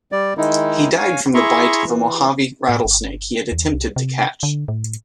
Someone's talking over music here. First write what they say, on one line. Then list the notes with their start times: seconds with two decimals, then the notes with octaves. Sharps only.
He died from the bite of a Mojave rattlesnake he had attempted to catch.
0.12 G3 D5
0.37 D#3 G#3 D#4 E4
0.97 C#5 F5 G#5
1.34 E4 G#4 E5 A#5 C6 C#6
1.87 E3
2.69 A2
2.85 G1
3.52 E2
3.74 C2
3.96 C3
4.43 D3
4.68 A2